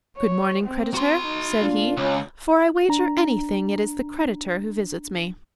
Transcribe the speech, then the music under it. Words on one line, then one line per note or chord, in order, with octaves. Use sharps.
"Good-morning, creditor," said he; "for I wager anything it is the creditor who visits me."
C#5
C4
F#4 C6
D#4
A#2 A#3 D4 F4
C#2 C#4
D4 A#5